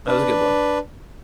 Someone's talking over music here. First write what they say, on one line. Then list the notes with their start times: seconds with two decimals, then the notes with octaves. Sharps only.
That was a good one.
0.07 D4 B4